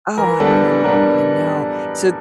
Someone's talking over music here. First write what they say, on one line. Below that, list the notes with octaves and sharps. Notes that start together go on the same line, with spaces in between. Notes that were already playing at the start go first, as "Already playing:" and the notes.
Oh, I know, I know, so
E3 A#4
G3 B3 D4 A4
E3
G3 B3 D4 A#4